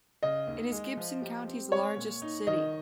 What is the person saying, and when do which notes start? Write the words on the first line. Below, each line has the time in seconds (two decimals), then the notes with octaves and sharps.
It is Gibson County's largest city.
0.23 C#3 D#5
0.47 D#2
0.72 G#3
0.97 F3
1.22 G4
1.48 C4
1.72 G#3 C#5
1.97 A#2
2.22 D#4
2.47 D#3 D#5